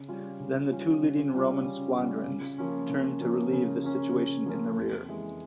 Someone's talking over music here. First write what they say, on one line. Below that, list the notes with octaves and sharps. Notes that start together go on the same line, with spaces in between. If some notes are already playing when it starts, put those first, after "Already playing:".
Then the two leading Roman squadrons turned to relieve the situation in the rear.
Already playing: C#3
G3 C#4 F4
C#3
G3 C#4 F4
C#3
G3 C#4 F4
C#3
G3 C#4 F4
C#3
F3 A#3 C#4
C#3
F3 A#3 C#4
C#3
F3 A#3 C#4
C#3
F3 A#3 C#4
F2
E3 G#3